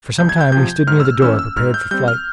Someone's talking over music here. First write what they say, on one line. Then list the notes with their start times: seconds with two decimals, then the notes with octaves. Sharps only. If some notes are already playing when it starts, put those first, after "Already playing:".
For some time we stood near the door, prepared for flight.
0.18 C2 G6
0.29 G#6
0.41 G6
0.52 C3 F3 G6
0.87 G#2 F6
1.00 E6
1.05 F6
1.22 E3 A#3 C#4 E6
1.39 E6
1.56 G#2 F6
1.74 G6
1.91 G3 C4 G6
2.08 F6